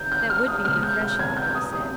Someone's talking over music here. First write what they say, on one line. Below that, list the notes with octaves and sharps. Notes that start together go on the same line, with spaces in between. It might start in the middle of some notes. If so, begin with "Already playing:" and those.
"That would be refreshing," the girl said.
Already playing: D#3 G6
G6
F6
D#6
B2 G#3 F6
G6
G6
G#6
G6
D#6
D#6